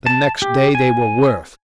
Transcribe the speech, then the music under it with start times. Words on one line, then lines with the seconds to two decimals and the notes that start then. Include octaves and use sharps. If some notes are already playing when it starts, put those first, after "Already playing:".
The next day they were worse.
0.06 A5
0.42 G4
0.75 G#5